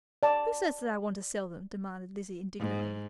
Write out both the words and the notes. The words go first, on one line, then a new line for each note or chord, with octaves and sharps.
"Who says that I want to sell them?" demanded Lizzie indignantly.
D5 A5
G#2